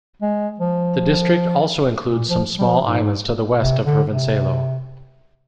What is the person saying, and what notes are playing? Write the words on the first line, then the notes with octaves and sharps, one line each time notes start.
The district also includes some small islands to the west of Hirvensalo.
G#3
F3
A#2
F3
G3
F3
G#2
C3
D3
C3